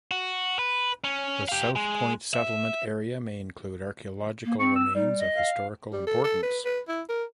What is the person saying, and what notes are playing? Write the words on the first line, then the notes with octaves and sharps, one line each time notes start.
The South Point Settlement area may include archaeological remains of historical importance.
F#4
B4
C#4
G4 F5
G#3
E5
A#3
C4 C#6
E6
G3 D#4
D#5
F5
G3
A4
A4
B4
B4
E4
A#4